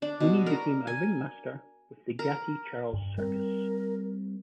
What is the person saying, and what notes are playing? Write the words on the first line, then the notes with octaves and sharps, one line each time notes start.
Mooney became a ringmaster with the Gatti-Charles Circus.
D4
B2
A#4
G#5
A#4
G2
G3 C4 A#4